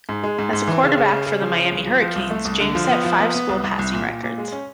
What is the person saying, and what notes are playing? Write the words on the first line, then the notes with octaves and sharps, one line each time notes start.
As a quarterback for the Miami Hurricanes, James set five school passing records.
G#2
G#3
G#2
G#2
E3
C#3
C#3
C#3
C#3
F3
C#3
C2
F3
F3
C2
A3
C2
D3
F3
B3
F3
B3
B3
C2
C2
C2
A#2
A#2
A#2
G#3
C#4